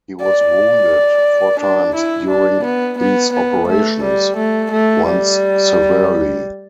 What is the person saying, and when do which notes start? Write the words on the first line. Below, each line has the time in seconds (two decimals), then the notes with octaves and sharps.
He was wounded four times during these operations, once severely.
0.22 D5
1.60 D4
1.95 E4
2.30 D4
2.64 B3
2.99 B3
3.33 B3
3.68 A3
4.03 G3
4.37 A3
4.72 A3
5.07 G3